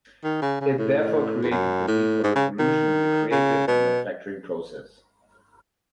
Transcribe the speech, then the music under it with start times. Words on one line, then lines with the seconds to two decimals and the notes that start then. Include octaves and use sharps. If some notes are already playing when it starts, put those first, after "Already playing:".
It therefore created the need for a revolution in the creative and manufacturing process.
0.24 D#3
0.42 C#3
0.61 C#3
0.78 A2
1.43 E2
1.51 F#2
1.88 A2
2.24 G#2
2.36 C#3
2.59 D#3
3.31 C#3
3.68 B2